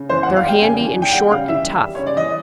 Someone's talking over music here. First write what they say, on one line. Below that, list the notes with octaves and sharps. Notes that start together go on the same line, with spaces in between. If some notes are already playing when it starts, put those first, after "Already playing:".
They're handy and short and tough.
Already playing: C#3
E3 C5
F#5
E2
F5
G3 G5
C#3 G#5
E3
E2
G5
G3 F#5
C#3 F5
E3 E5
D#2
G3
C#3 C#5
D5
E3 D#5